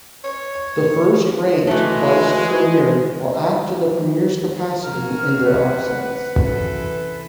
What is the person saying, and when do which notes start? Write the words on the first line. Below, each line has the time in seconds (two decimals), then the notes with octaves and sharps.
The First-ranked Vice Premier will act in the premier's capacity in their absence.
0.24 C#5
1.67 E3 G#3 A3 F#4
4.83 F#4 G#4 A#4 F6
5.45 C3 B4 F#5
6.34 F#2 C3 E3 A4